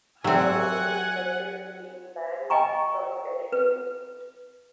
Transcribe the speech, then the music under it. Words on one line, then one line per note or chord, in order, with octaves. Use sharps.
However this led to him being banned from the editing suite.
F#3 C4 G4 E5 F#5 G#5
D#5 G5 G#5 A#5 C#6
B4